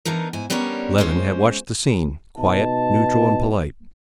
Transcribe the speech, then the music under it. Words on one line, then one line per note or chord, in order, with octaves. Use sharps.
Levin had watched the scene, quiet, neutral, and polite.
E3 B3 D4 D#4 A#4
G#2 E4 G#5
G3 B3 C#4 D4 A#4 C#5
G#3 C#4 F4 C5
B2 D#4 A5